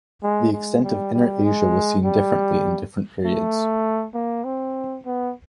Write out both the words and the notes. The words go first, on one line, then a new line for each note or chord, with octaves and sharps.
The extent of Inner Asia was seen differently in different periods.
G#3
G#3
G3
G3
G#3
G3
A3
A#3
C4
B3